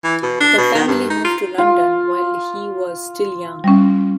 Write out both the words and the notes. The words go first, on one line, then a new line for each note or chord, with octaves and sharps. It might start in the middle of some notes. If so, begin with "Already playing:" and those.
The family moved to London while he was still young.
E3
B2
D4
B2
D#3
G2
D#4
F4
F4
G3 C#4